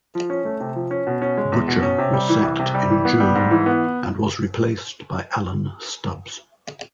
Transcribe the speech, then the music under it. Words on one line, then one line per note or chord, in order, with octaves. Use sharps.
Butcher was sacked in June and was replaced by Alan Stubbs.
F3
C#4
A3
C3
F3
C#4
B2
C#4
G#3
E2
B2
C#4
C3
G3
E3
C2
C3
G3
E3
B3
G3
G#2
E3
B3